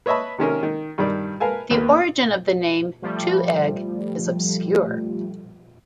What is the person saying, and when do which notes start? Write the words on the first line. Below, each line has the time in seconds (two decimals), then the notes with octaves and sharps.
The origin of the name Two Egg is obscure.
0.06 B4 C#5 D#5 E5 A5 B5
0.38 C3 D#3 C#4 A#4
0.63 D#3
0.98 G2 D#3 G3 D5
1.40 A#4 B4 F5 G#5 A5
1.71 D#2 A#3 B3
3.02 F3 G3 A3